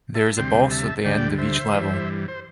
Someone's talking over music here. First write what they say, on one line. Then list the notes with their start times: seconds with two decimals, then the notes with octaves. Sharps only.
There is a boss at the end of each level.
0.15 E5 A5
0.37 D2 C3 G3 G5 C6
0.71 E5 A5
1.04 D2 D3 G3 D5 G5
1.38 C5 E5
1.73 G2 E3 G3
2.28 C5